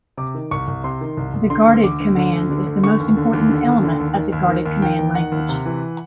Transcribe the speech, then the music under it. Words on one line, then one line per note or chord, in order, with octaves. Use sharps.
The guarded command is the most important element of the guarded command language.
C3 D6
D#3
C2 C#6
C2
C3 C6
D#3
C2
C2
D3 C6
D2
D3 D6
D2
D3
D2
D3
D2
D3 C#6
D#2
D3
D#2
D3
D#2
D3
D#2
D#3
D#2
D#3
D#2
D#3 G5
D#2
D#3 F#5
D#2
C3
E3